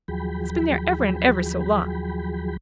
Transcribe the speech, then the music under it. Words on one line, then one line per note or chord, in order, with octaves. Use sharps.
It's been there ever and ever so long!
D#2 F3 F#3 G#4 G5 B5